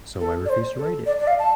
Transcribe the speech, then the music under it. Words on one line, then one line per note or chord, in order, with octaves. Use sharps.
So I refused to write it.
A4
D5
C5
A4
D5
D5
F5
A5